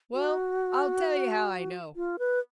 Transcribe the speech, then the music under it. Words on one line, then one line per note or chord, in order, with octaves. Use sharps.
Well I'll tell you how I know!
F#4
F4
B4